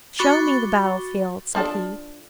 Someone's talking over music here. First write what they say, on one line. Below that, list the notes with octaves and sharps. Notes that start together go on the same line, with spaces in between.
'Show me the battle-field,' said he.
F#4 B5 C#6 D6 A6 G7
F3 D4 A4